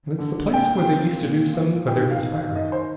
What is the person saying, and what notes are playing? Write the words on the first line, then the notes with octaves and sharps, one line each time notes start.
And it's the place where they used to do some of their conspiring.
D3
A#2 G5
C4
A#2
F3
D#3 G5
F5
D#3
F5
D#3 D#5
C5